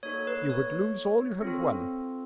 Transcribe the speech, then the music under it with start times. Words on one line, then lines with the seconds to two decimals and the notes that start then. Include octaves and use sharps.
You would lose all you have won.
0.03 A#3 D#4 F#4 A4 C#5
0.27 B4
0.50 C#5
1.42 C4 F4 A4